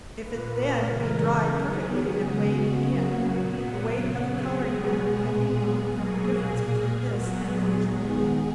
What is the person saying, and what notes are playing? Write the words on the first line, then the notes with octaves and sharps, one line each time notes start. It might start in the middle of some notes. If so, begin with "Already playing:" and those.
If it then be dried perfectly and weighed again, the weight of the coloring matter can be learned from the difference between this and the original weight.
A#2 A#3 B4
A#4
C#3 E3 G#3 A#4
D#3 F#3 B3 G#4
C#3 G#3 B3 G#4
F#4
C#3 F#3 A#3 F#4
A#2 F#3 B3 F#4
C#3 F#3 B3 F#4
G#4
B2 G#3 B3
A#2 G#3 B3
B2 F#3 A#3 G#4
A#2 A#3
A#2 F#3 B3 F#4
G#4
D#3 G#3 B3 G#4